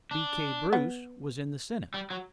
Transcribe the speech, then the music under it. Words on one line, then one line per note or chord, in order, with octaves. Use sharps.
B.K. Bruce, was in the Senate.
D4
B3
G3
F#3